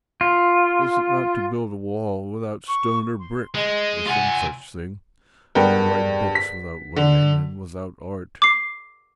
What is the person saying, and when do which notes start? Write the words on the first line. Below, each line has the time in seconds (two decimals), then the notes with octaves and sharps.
Is it not to build a wall without stone or brick, or some such thing, to write books without learning and without art?
0.21 F4
2.68 C#6
3.19 C6
3.55 G#3 D#5
4.08 F4 F#5 G#5
5.55 G2 B3 G#4 A#4 G5
6.35 B6
6.96 D3
8.42 D6 C7